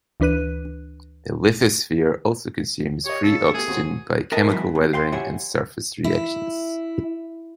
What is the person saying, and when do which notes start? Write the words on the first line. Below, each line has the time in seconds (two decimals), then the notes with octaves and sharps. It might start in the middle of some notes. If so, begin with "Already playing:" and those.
The lithosphere also consumes free oxygen by chemical weathering and surface reactions.
0.20 D2 E3 D4 B4 F#6 D#7
3.05 G4 C#5 D#5
3.23 C#3 A4
3.54 A3 B3 G4 G#4
3.67 D#2 C4 F#4
4.32 A4 A#4 D#5 E5 G5 A5
4.49 D#3 E3 F#3 G#3 C4 E4
4.75 B2
4.93 F5 G5 C6
5.12 E4 G4 C#5 E5 F#5 G#5
6.04 E4